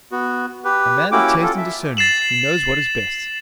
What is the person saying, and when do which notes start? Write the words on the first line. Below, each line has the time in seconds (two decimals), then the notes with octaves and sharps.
A man of taste and discernment, he knows what is best.
0.12 B3 F#4
0.64 G4 B4
1.12 A#3 C#4 E4 F#4 G4 D6
1.43 F4 A4
1.57 E5
1.97 A6 C7 E7 F#7